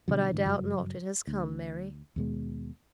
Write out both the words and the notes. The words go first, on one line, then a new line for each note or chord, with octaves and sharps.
"But I doubt not it has come, Mary."
B2 D3 F#3
G#2 D3 E3
F#1 G2 F#3
D2
D#2 B2 G#3